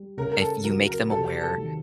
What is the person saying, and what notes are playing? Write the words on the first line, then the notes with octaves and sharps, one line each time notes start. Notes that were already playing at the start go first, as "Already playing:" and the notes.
if you make them aware,
Already playing: G3
C#3 A#4
A#4
A4
F#3 A#4
A#4
C3 A4
A4
D#3